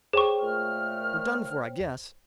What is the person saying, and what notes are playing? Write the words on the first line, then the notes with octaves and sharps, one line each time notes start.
"We're done for, I guess."
G#4 C5 C#5 G5 C#6
A#2 A3 F6